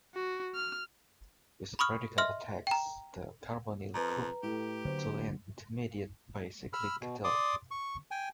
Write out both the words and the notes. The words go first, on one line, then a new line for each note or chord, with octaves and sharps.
This radical attacks the carbonyl group to an intermediate bicyclic ketyl.
F#4
F6
B5 C#6 D#6 F6
D#5 E5 C6 F6
G5 A#5
F2 B4 A#5
A2 A3 G4
D3 F#3 A#3 C5
B5 E6 F6
B2
D5 C6 D6 D#6
C#6
G5 G#5